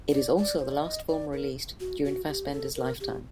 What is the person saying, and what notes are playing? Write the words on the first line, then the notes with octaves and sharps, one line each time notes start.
It is also the last film released during Fassbinder's lifetime.
D5
D5
C5
D5
D#5
D5
A#4
F#4
F#4
G4
A#4
A4
A#4
G4